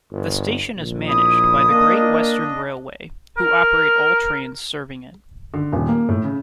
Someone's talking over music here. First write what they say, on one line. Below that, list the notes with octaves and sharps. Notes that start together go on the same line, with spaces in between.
The station is managed by Great Western Railway, who operate all trains serving it.
G1
A#1
E4 D#6
A#3 D4 D#5
A#4
D3
D#1
A#3
A2
C#3